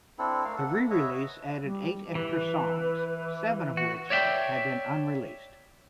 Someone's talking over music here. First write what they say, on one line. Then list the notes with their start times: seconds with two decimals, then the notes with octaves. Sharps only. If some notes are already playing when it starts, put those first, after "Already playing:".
The re-release added eight extra songs, seven of which had been unreleased.
0.19 C4 D4 E4 A4
0.45 A3 A#4 F5
0.58 A4 F#5
0.90 B4 C#5 D#5 E5
1.64 G3
2.15 E3 B4
3.77 F#4
4.10 C#5 D5 E5 F#5 G5